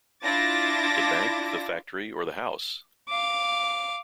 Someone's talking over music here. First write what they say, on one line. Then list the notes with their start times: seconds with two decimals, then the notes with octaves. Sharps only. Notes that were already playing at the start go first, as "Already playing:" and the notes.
The bank, the factory, or the house?
0.24 D4 E4 F4 D6 A6 A#6
3.09 F5 D6